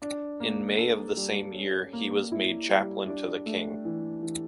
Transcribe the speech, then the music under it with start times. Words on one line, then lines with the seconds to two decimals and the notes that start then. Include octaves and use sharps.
In May of the same year he was made Chaplain to the King.
0.02 D4
0.40 A#3
0.78 A4
1.17 G3
1.55 C#4
1.93 A#3
2.32 E4
2.69 G3
3.07 D4
3.46 A3
3.85 E3
4.23 E3